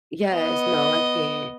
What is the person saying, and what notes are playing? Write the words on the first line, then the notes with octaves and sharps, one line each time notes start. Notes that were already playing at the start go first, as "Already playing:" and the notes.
Yes, no, I can't.
B3 D#5